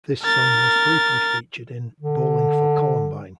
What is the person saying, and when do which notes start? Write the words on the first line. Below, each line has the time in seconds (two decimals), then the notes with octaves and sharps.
This song was briefly featured in "Bowling for Columbine".
0.23 A#4 A6
2.01 D3